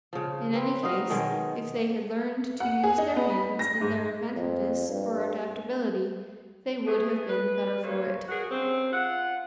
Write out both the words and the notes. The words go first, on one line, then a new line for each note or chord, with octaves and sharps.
In any case, if they had learned to use their hands and their inventiveness or adaptability, they would have been the better for it.
C#3 F3
C4 B4
D#4 F#4 D#5 F5
B2 D#3 F#3 G#3
F#5
G#4
D#4
B3
B5
A#6
G#2
F2
G2
A3 B3 G#4
B4
G2 A#3 C5 C#5
F#4 G#4 A#4 F#5
G2 C#3 C4
F4 F#5